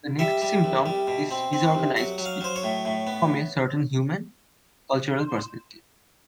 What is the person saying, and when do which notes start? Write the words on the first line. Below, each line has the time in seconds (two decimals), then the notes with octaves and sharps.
The next symptom is disorganized speech, from a certain human, cultural perspective.
0.19 G3 E5
0.42 G3
0.64 C2
0.86 G3
1.07 B2
1.31 C4
1.53 C4
1.75 C2
1.96 F#3 F#5
2.18 F#3
2.25 F5
2.41 F#3 C5
2.56 C#5
2.64 A2
2.85 A2
3.07 B3